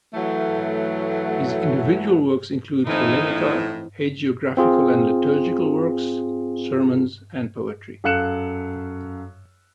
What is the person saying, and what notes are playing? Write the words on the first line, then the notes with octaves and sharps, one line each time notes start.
His individual works included polemica, hagiographical and liturgical works, sermons and poetry.
E3 F#3 A3
A2 E3 F3 C4 D#4 E4
C4 F4 G#4
F#2 A4 F5 F#6 C#7 E7